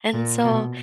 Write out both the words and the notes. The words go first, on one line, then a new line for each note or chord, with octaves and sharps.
And so
A#2
B2